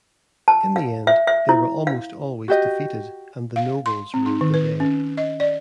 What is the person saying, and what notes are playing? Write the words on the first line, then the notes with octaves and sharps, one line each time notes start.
In the end, they were almost always defeated and the nobles ruled the day.
A5
F5
E5
E5
E4
F5
F#4 G4 D#5
F5
C6
C4
D#4
D#3
B4
C#4
D#5
D5